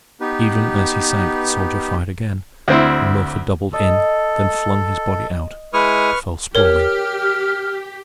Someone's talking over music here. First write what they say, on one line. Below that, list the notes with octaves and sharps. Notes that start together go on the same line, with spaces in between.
Even as he sank the soldier fired again, and Milford doubled in, then flung his body out, and fell sprawling.
B3 D#4 G4 B4
D2 C4 E4
A4 D#5
G#3 E4 B4 C#6 D#6 F6
G4 A#4 C#5 F6